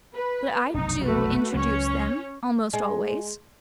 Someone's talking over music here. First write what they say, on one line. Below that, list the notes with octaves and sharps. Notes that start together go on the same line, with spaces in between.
But I DO introduce them--almost always.
B4
F1 B1 F#2 D#4
A3 F#4 B4
C#2 F#3 C#4 C#5
G#3